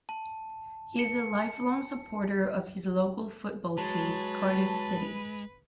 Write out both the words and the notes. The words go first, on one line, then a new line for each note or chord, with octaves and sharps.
He is a lifelong supporter of his local football team Cardiff City.
A5
C#7
F#3 G#3 B4 A5